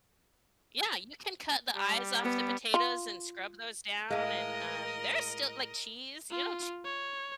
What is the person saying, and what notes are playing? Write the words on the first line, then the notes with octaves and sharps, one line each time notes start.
Yeah, you can cut the eyes off the potatoes and scrub those down and, um, there's sti like, cheese you know
G3
B3
F4
A2 G#3 A#4 D#5 F5
F4
C#5